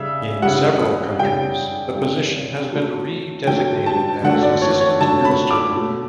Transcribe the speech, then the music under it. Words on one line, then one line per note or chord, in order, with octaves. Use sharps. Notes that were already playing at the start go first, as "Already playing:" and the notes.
In several countries the position has been re-designated as assistant minister.
Already playing: C#3 G3 E5
C#3 G3 F#5
C#3 G3 G5
C#3 G3
D3 F#3 A3
D3 F#3 A3 G5
A5
D3 F#3 A3 F#5
D5
C#5
C#5
D3 F#3 A3 A5
B5
D6
B2 A3